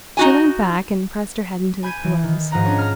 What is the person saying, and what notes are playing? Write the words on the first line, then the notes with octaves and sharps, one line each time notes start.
She leant back and pressed her head into the pillows.
D#4 F#4 G#5
G#5 B5 G6 G#6 B6 D#7
E3
D#3
G#2 F3 D#5 F#5 A#5 A#6
C#4 D4 C#5
A#5 F6